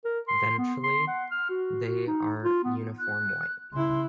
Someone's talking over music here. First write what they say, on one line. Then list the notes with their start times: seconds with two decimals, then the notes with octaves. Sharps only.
Ventrally they are uniform white.
0.05 A#4
0.28 C6
0.58 B3
0.84 C6
1.08 F#5
1.31 F6
1.50 F#4
1.86 F#4
2.07 D#4
2.44 F4
2.64 B3
2.99 F#6
3.73 C#3 E4 C6